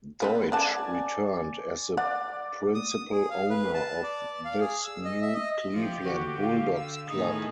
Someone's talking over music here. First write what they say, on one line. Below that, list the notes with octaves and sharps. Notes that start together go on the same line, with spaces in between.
Deutsch returned as the principal owner of this new Cleveland Bulldogs club.
C#3 B3 C4
C#3 D5 F#5 G#5 A5
D5 F#5
D#6
G#4
F5
B4
A5
D5
F5
G#4
E6
D#5
E5
D#5
F3 G4
D3 F#4
F5
E6
A2 D#3 A3 B3 D#4 G#4 D#6